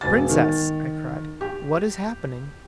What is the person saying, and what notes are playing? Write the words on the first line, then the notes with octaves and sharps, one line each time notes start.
"Princess!" I cried, "what is happening?"
E1 A6
D#3
G4